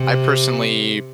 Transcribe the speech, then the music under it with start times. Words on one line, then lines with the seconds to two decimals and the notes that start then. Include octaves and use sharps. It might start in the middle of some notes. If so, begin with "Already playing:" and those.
I personally
Already playing: C3